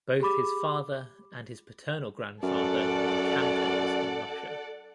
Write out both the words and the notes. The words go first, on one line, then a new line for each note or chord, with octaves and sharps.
Both his father and his paternal grandfather were cantors in Russia.
G4 G#4 B5 D6
F#2 A4 D5 F#5